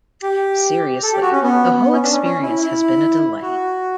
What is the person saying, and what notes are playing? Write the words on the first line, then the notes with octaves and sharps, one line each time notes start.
Seriously, the whole experience has been a delight.
G4
A4
G4
F#4
C#4
B3
B3
C#4
D4
C#4
C#4
E4
E4
F#4